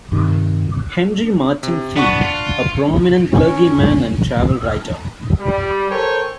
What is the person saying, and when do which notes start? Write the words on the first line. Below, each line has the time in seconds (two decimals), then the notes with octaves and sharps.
Henry Martyn Field, a prominent clergyman and travel writer.
0.12 G2 C3 D#3
1.63 C3
1.96 B3 D4 F#5 C#6
2.22 F4
3.30 C#4
5.40 G3
5.89 A4 A#4 C5 C#5 G5 G#5